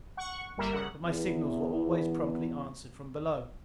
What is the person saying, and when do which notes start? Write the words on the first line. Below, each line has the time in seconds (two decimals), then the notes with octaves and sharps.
But my signals were always promptly answered from below.
0.17 F#5 C#6
0.58 G1 G3 A#3 A#4 E5
0.73 C#3 F#5
1.06 E2 B3 E4